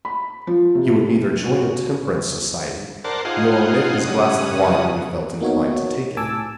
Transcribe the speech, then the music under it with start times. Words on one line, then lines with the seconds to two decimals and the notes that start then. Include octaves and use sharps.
He would neither join a temperance society, nor omit his glass of wine when he felt inclined to take it.
0.05 B5
0.47 F3
0.75 C3
1.44 F#4
3.04 A#4 C5 D5 F#5 A5
3.25 D#4 F4 G#4 C5 F#5
4.04 G2 C#3 F#5 D#6
5.40 A#3 B3 D#4 F#4 C#5
6.17 A2 G#5 A5 D6 E6